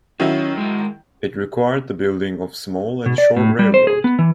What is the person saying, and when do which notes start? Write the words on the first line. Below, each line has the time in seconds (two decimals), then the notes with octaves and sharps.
It required the building of small and short railroad.
0.20 D#3 F#3 C#4 E4
0.57 G#3 A#4
3.06 B2
3.18 D5
3.36 A2
3.59 G3
3.74 C5
3.87 G#4
4.04 B3
4.19 E3